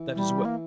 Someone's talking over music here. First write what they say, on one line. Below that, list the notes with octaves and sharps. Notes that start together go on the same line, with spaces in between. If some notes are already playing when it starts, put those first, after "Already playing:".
"That is well."
Already playing: E3
G3
A#3